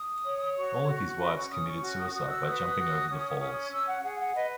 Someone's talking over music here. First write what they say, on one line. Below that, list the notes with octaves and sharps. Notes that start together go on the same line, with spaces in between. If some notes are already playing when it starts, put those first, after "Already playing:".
All of his wives committed suicide by jumping over the falls.
Already playing: D#6
C#5
F#4 C#6
F#4
C#4 B5
C#6
C#4 D#6
C#6
F#4
D#6
F#4 D#6
E6
B4 D#6
F#4
C#4
C#4
C#4 E6
F#5
G#4 F#5
F#5
B4 D#5